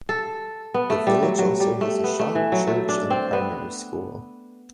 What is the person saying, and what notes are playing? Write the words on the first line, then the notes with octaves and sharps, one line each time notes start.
The village also has a shop, church and primary school.
A4
B3
A3
G3
F#3
F#3
G3
A3
B3
A3
E3
F#3
A3
D4
C4
B3